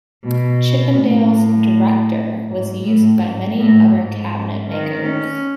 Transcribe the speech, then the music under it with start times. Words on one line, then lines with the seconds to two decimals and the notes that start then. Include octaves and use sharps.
Chippendale's "Director" was used by many other cabinet makers.
0.24 B2
0.98 A2
2.46 G#2
2.83 A2
3.20 G#2
3.57 A2
3.94 G#2
4.68 D#3
5.04 C#4